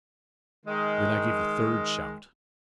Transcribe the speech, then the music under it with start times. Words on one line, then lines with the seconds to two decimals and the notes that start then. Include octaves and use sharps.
Then I gave the third shout.
0.66 D#3 G#3